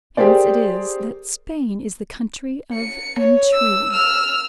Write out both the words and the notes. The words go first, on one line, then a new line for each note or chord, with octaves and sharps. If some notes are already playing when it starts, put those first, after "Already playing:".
Hence it is that Spain is the country of intrigue.
G4 G#4 A#4 C5 D5
C#7
C#5
E6
E6 F6